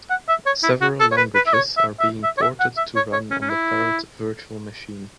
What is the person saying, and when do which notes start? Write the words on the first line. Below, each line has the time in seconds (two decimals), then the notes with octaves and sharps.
Several languages are being ported to run on the Parrot virtual machine.
0.10 F#5
0.29 E5
0.46 C#5
0.63 E4
0.81 F#4
1.00 A4
1.12 C#5
1.17 B4
1.35 B4
1.47 E5
1.54 C#5
1.77 E5
2.00 E5
2.24 E5
2.38 C#5
2.42 E5
2.60 F#5
2.77 E5
2.96 C#5
3.13 C#5
3.31 C#4
3.42 C#4
3.49 E4